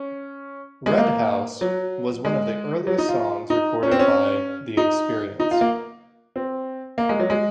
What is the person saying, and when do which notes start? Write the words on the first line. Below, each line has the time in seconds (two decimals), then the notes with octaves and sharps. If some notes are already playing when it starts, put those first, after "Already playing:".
"Red House" was one of the earliest songs recorded by the Experience.
Already playing: C#4
0.86 G#3
0.97 A#3
1.61 F#3
2.25 G#3
2.87 F#3
2.98 D#4
3.09 F4
3.50 D#4
3.83 C#4
3.91 C4
3.99 C#4
4.77 D#4
5.40 D#4
5.51 F4
5.61 A#3
6.36 C4
6.98 A#3
7.09 G#3
7.20 F#3
7.30 G#3